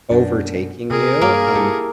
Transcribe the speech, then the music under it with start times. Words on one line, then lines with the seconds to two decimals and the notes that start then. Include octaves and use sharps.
overtaking you, and
0.11 F#2 B2 D4
0.90 C3 G#4 A#4
1.21 G2 A#3
1.55 E4 G4 A4